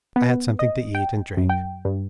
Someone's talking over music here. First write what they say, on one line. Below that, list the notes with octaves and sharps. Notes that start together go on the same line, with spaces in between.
I had something to eat and drink.
B3
D#5
G5
F#2
G5
G2